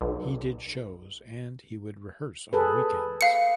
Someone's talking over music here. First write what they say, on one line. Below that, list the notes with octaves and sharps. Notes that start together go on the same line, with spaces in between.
He did shows and he would rehearse on weekends.
B1
G#4 A4 B4
F5 C#7